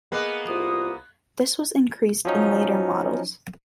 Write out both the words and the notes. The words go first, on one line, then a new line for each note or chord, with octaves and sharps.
This was increased in later models.
A#3 B3 G#4 D#5 F#6
C2 F4 D#6
F3 F#3 C#4 D#4